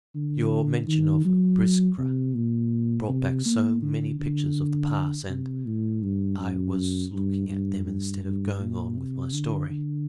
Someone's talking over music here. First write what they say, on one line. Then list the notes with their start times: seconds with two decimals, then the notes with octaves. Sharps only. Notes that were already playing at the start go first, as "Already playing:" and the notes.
"Your mention of Biskra brought back so many pictures of the past, and--I was looking at them instead of going on with my story."
0.15 D3
0.88 D#3
1.25 F#3
1.99 C3
2.35 A#2
3.09 C3
3.46 A#3
3.82 D3
4.19 D3
5.29 C3
5.66 A2
6.03 G2
6.40 F#2
7.13 G2
7.50 G2
7.87 G2
8.23 G2
8.60 A#2
8.97 C3
9.33 D3
9.70 D3